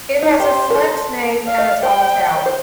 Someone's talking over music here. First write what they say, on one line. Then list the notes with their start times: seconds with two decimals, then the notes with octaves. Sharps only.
It has a flint nave and a tall tower.
0.22 D#4
0.40 G4 C5
0.70 A#4
0.76 A4
1.48 F5
1.58 D#5
1.71 D5
1.82 C5 G5
2.46 C5